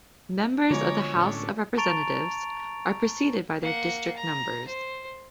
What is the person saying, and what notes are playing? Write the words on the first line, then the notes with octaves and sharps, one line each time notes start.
Members of the House of Representatives are preceded by their district numbers.
B2 D3 F3 G#3 C#5 A#5 D6
A2 C#4 D4
A5 A#5 C#6 A6 D7 F7
A#3 F#5
A#5
C5